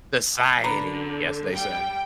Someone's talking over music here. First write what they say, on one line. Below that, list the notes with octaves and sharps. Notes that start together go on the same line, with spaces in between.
"Society", as they say.
D3 A#4 B4 A#5
G3 G5